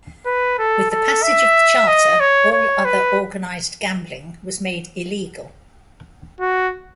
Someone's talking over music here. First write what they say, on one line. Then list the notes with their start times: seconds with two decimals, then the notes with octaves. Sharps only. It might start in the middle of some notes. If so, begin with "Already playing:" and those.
With the passage of the charter, all other organized gambling was made illegal.
0.26 B4
0.58 A4
0.91 A4
1.23 E5
1.87 D#5
2.20 C#5
2.52 C#5
2.85 B4
6.40 F#4